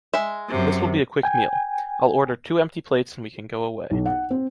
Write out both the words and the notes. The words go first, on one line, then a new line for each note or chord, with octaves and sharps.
This will be a quick meal. I’ll order two empty plates and we can go away.
G#3 E5
F#2 C3
G5 G#5
B1
F#5
C4